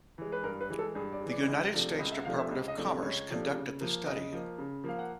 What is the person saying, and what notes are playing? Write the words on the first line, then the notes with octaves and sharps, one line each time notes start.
The United States Department of Commerce conducted the study.
E3 G#3
B4
G2 A#4
B4
E3 G#3
A4
G2 G#4
D5
G#3
E3 D5
C#2
C3 F3 A3 D4
C#2 D#5
E5
F#5
C3 F3 A3 D4 F5
E5
C#2
D#5
C3 F3 A3 D4
D5
C#2 C#5
C3 F3 A3 D4
C#3
F3 A#3
C#3 D#5
F3 A#3
C#3
F3 A#3 F5
F#5